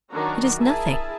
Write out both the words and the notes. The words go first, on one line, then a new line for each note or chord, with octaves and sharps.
"It is nothing."
D#3 F#3 C#4 D4 F#4 A#5
E4 G#4 A#4 E5 A5